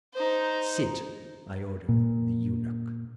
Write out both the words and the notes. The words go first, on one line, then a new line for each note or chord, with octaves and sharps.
"Sit," I ordered the eunuch.
D#4 C5
A#2